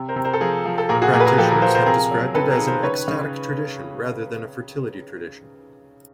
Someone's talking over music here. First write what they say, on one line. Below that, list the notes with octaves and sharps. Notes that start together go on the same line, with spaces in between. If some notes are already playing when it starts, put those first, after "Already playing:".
Practitioners have described it as an ecstatic tradition rather than a fertility tradition.
Already playing: C3
A#4 C5
C3
A#4 C5
A4
F3 G#4 A#4
F3
A4
A#2 G#4 A#4
F#4 G#4
A#2 G#4 A#4
B4
G#4 A#4
F3 G4 A4
G#4 A#4
F3 A#4 C5
A#4 C5
C3 G#4 A#4
F#3
C3 A4 B4
G#4 A#4
D#3
A#4 C5
C#3 B4 C#5
C#3